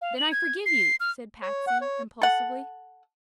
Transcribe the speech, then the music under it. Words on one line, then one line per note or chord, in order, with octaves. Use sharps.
"Then I forgive you!" said Patsy, impulsively.
F5
F#7
G#6
C7
F6
C#5
F#5
C#5
A4 F#5